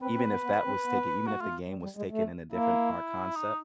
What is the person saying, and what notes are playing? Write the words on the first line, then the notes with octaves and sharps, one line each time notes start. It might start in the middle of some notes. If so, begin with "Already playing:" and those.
even if that was taken even if the game was taken in a different art concept,
C4 B4
C4
B3
B3
C4
B3
A#3 F#4
A3 F4
G3
G3
G#3
A3
A#3 E4
D#4